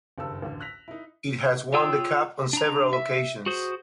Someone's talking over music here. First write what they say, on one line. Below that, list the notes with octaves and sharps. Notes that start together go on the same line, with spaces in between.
It has won the cup on several occasions.
F#1 G2 D#3 A4 A5 E6
A1 D2 D3
E6 F#6 A#6 B6 F7
D#4 E4
F4 G#4 C#5 G5 E6
D4 A#5
E5
F#4 G#4 C5